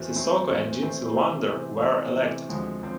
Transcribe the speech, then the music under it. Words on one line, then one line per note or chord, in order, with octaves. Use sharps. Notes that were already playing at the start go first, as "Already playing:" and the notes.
Sissoko and Jean Silvandre were elected.
Already playing: E2 B2 A3 C4
E2 B2 A3 C4
E2 B2 A3 C4
E2 B2 A3 C4
C3 E3 A3 C4
C3 E3 A3 C4
C3 E3 A3 C4
C3 E3 A3 C4
D2 D3 F3 G#3 C4
D3 F3 C4